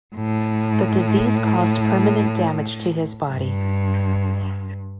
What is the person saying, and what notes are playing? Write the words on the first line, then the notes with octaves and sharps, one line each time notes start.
The disease caused permanent damage to his body.
A2
G2